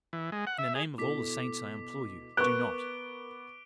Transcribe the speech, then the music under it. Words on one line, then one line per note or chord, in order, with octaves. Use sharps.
"In the name of all the saints, I implore you, do not."
E3
G#3
F#5
E5
G#4
B2 E4 A4 D6 B6
B3 A#4 C#6 D6 F#6 D7 G7